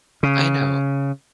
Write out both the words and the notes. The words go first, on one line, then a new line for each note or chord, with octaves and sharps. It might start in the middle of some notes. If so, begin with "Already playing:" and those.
I know.
C#3